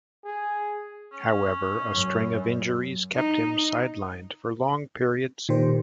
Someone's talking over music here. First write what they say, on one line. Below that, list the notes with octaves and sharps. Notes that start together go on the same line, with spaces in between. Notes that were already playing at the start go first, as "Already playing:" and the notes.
However, a string of injuries kept him sidelined for long periods.
G#4
C#4
F#2
D#4
A#2 D#3 G4 C5